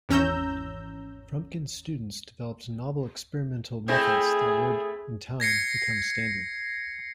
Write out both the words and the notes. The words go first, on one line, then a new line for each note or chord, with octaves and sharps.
Frumkin's students developed novel experimental methods that would, in time, become standard.
G#1 E2 C#4 A#5 E6 G6
A3 C4 E4 G#4
G#6 A#6 C7 C#7